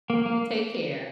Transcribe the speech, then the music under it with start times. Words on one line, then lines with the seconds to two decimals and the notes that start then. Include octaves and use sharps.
So you take care.
0.10 A#3
0.26 A#3